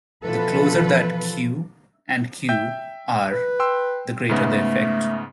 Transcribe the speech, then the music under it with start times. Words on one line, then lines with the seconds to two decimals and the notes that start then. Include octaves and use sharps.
The closer that "q" and "q" are, the greater the effect.
0.24 B2 E3 F3 F4 A4 B4
2.49 E5 G5 G6
3.32 B4
3.60 G5 C6 E6
4.29 G#2 C#3 A3 B3